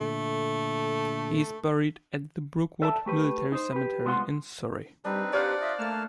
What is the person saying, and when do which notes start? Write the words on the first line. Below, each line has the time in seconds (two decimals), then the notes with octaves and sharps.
He is buried at the Brookwood Military Cemetery in Surrey.
0.01 A#2 D3 A3
2.82 A4 D5 E5 G#5 A5
3.06 A3 G4 B4
3.52 D#4 C5
3.72 G4 B4
4.05 C2 G#3 B3 F4 F#5 C6
5.05 G3 C4 D4 D#4 B4
5.33 G4 C5 D5 F5 F#5
5.61 F4 D#5 E5
5.79 A3 A#3 A5 F6